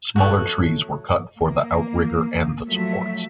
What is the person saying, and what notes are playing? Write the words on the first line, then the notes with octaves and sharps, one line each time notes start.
Smaller trees were cut for the outrigger and the supports.
F#3 A3 F#4
A#3
F3 F#3 A3 E5